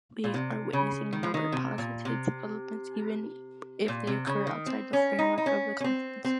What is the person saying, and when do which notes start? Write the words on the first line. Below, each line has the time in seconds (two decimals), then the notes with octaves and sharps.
We are witnessing a number of positive developments, even if they occur outside the framework of the Conference.
0.24 A#2
0.34 C3
0.73 C#3
1.13 D#3
1.23 F3
1.34 D#3
1.52 C3
1.78 A#2
2.05 C3
3.88 A#2
4.07 C3
4.27 C#3
4.47 D#3
4.66 C4
4.93 C#4
5.19 D#4
5.38 D#4
5.46 C#4
5.80 C#4
5.84 C4
6.25 C4